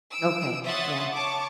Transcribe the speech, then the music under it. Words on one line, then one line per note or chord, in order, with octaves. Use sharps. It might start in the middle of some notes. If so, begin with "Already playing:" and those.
Okay, yeah.
E6 D7
C#5 E5 F#5 C6 D#6 A6
C#5 A5 C#6 D6